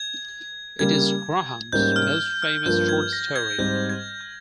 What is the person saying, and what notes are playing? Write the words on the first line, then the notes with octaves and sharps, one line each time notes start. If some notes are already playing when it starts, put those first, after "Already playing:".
It is Grahame's most famous short story.
Already playing: G#6
C#3 G3 A#3 G#6
G#2 G3 A#3 C#4 G6
F6
F6
G2 F3 A#3 F4 A#4 G6
G#6
A#6
G#6
G#2 G3 C4 G4 G6
G#6
G6